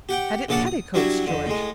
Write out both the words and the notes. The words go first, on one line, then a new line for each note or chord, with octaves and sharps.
"Had it petticoats, George?"
G4 F#5 G5
A#1 C#3 A4 D5 F#5 A5
D#6
F#3 G3 D4 E4 F#4
F2 D3
A2 G#3